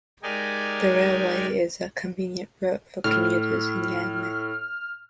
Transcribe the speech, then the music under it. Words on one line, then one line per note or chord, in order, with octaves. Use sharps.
The railway is a convenient route for commuters in Yangmei.
G#3 D#4 G4 A#4 D5 G#5
A2 F6